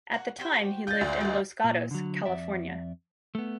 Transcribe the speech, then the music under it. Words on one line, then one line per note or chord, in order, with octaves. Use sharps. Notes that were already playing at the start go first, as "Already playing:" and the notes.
At the time he lived in Los Gatos, California.
F#4
F#4 G4 C5
D4 F4 G#4 G6 A6
D2
D#3 E3 D#4
A#2
D3 F#3
F2 D5 E5
A3 B3